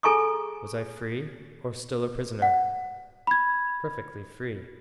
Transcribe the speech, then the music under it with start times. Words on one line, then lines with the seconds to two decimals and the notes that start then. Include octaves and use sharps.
Was I free or still a prisoner? Perfectly free.
0.03 G#4 A4 G#5 A#5 C#6 D#6
2.42 F#5
3.27 B5 G#6